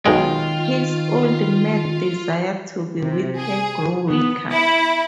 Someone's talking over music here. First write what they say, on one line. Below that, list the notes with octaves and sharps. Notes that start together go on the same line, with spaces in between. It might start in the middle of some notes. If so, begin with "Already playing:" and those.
His old mad desire to be with her grew weaker.
B1 B2 D#3 G#3 F4 G5
C3
G#4
B3
E4